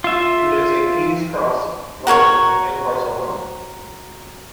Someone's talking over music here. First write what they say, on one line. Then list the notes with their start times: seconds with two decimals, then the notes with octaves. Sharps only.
He lives in King's Cross, London and Barcelona.
0.04 F4 E5
2.07 F#4 A#4 C#5 C#6